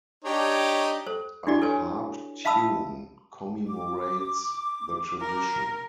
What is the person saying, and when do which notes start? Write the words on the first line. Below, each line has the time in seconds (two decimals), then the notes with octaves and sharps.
A harp tune commemorates the tradition.
0.25 D4 D#4 G4 C#5
1.07 A4 C5
1.47 D4 E4 F#4 G4 D5
1.62 A4 B4 C#5 G#5
2.45 E5 F5 A5 B5 D#6 E6
3.68 D6
5.21 A#4